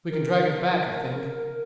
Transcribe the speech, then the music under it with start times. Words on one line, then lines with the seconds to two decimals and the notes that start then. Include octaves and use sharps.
We can drag it back, I think.
0.11 A#4